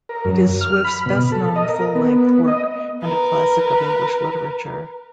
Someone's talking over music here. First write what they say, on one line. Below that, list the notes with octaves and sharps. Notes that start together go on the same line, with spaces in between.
It is Swift's best known full-length work, and a classic of English literature.
A#4
F#2
F6
B5
B2
A4
D#5
A#4
B3
D#5
A#4 B4